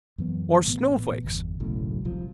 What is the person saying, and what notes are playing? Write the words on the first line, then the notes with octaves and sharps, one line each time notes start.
Or snowflakes.
F#2 E3 B3
A1 A#2 B3
G1 E2
F#1 B1 F#2 A2
D#1 C2 F3